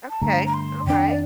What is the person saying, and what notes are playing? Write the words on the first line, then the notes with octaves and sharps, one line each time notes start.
Okay, alright,
A5
G2 D3 A3 A#5
A#5
C6
F2 D#3 A#3 D4 G5
D5